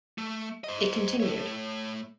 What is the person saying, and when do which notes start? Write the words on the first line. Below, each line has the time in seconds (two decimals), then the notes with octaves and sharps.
It continued.
0.18 A3
0.64 C5 D#5
1.20 A3 C#5